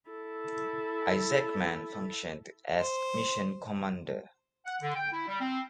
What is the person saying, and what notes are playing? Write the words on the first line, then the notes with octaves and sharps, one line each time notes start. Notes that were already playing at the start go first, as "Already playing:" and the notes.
Isaacman functioned as mission commander.
E4 A4
C5
F#5
D3
G5
E4
G3
C4